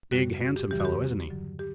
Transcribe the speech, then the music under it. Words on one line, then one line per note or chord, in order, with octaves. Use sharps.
Big, handsome fellow, isn't he?
F#2 C#3 G3 F#4
F#4
G4
E2 C#3 E3 G3 G4
F#4
G4
G2 D3 F#3
G4